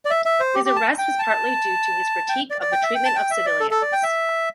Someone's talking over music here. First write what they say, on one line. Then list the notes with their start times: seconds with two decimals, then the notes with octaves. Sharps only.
His arrest was partly due to his critique of the treatment of civilians.
0.05 D5
0.10 E5
0.26 E5
0.40 C5
0.55 G4
0.65 G4
0.76 A5
0.98 G5
1.19 A5
2.29 G5
2.50 D5
2.61 D5
2.72 G5
2.83 E5
2.95 G5
3.05 A5
3.16 G5
3.31 E5
3.46 D5
3.60 A4
3.71 A4
3.82 D5
3.93 G5
4.03 E5